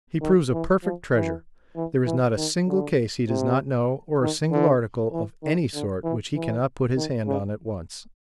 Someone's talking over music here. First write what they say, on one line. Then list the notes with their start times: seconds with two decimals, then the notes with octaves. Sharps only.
He proves a perfect treasure; there is not a single case he does not know or a single article of any sort which he cannot put his hand on at once.
0.21 D#3
0.53 E3
0.84 F3
1.15 E3
1.76 E3
2.06 E3
2.37 D#3
2.67 D3
3.29 C3
4.21 D#3
4.51 D3
5.12 E3
5.43 D#3
5.74 D3
6.04 E3
6.36 E3
6.96 D#3
7.27 C#3